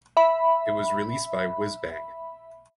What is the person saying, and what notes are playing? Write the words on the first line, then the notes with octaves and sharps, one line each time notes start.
It was released by Wizbang!
E5 B5